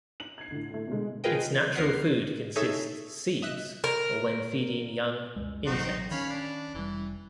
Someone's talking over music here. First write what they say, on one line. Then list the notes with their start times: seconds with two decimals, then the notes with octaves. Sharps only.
Its natural food consists seeds, or when feeding young, insects.
0.20 F#7
0.38 G#6 C7
0.51 A2 D3
0.70 A2 A3
0.87 B2 D3 G#3
1.24 F4 G#4 A#4 B4 D#5 G5
1.75 C#2 F3 B3 A#4 F#5 C7
2.56 D#4 G#4 A4 C#5 E5
3.42 D#5 E5 F#6
3.84 A#4
5.36 C#2 F#2 G#3
5.66 A1 F#3 C4 D#4 F#4
6.11 D#3 C#4 C#5 F5 B5
6.30 D4
6.74 F1 E3 G3